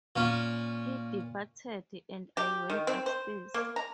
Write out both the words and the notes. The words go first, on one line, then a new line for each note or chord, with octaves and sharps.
He departed, and I went upstairs.
A#2 C#4
G4
D#3
C4
C5
A#3
A#5